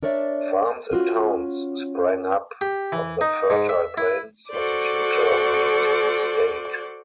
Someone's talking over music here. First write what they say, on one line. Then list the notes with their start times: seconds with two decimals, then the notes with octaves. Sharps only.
Farms and towns sprang up on the fertile plains of the future wheat state.
0.03 D4 A#4 C#5 D5 E5
0.91 C#4 F4 F#4
2.61 G4
2.92 E3
3.21 D#4
3.50 G#2
3.69 E5
3.97 E4
4.50 F#4 A4 C5 D5 D6